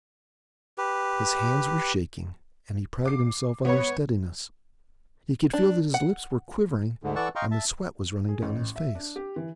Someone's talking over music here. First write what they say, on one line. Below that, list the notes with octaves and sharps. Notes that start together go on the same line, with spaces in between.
His hands were shaking, and he prided himself on their steadiness; he could feel that his lips were quivering, and the sweat was running down his face.
G4 B4
D6 C7
B3 B4 C#5
D4
F#5
D2 G#2 D3
E3 A4 D5 F#5 C#6 E6
D#5 F5 G5 A#5 C6 C#6
E5 A5
G#4
A1
E5
D4
G4
E3